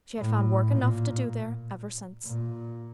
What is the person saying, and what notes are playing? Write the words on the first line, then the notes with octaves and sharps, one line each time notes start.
She had found work enough to do there ever since.
A2
A#2
A#2